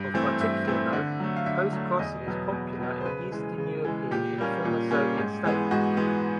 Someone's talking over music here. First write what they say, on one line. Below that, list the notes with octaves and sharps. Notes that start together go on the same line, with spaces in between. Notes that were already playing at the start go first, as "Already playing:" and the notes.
Of particular note, postcrossing is popular in eastern European and former-Soviet states.
Already playing: G2
E3 A3 C4
G2 E5
E3 A3 C4
D3
F#3 A3
F5
D3 E5
F#3 A3
E2 D#5
B2 F#3 B3
E2
B2 F#3 B3
C5
C#3 B4
E3 G#3
C#3
E3 G#3
A#2 G4
G3 A#3 C#4
A#2
G3 A#3 C#4
G#2
E3 G#3 B3
G#2 F#4
E3 G#3 B3